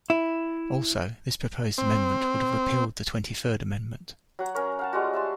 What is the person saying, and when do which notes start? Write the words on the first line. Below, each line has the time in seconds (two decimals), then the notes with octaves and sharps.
Also, this proposed amendment would have repealed the Twenty-third Amendment.
0.10 E4
1.78 C4
4.39 F#3 F#5 A#5
4.55 C#4 A#4 C#5
4.79 F5 F#5 A5
4.93 G3 G#3 F4 F#4
5.13 E5 A5 C6